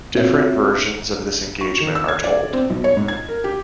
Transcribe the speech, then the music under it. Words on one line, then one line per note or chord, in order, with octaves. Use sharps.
Different versions of this engagement are told.
C4 F4 F#4 C#5 E5
C#6
D#3
E6
G#6
D5
C4
B1
C#5
G#2
G#6
A#4
G4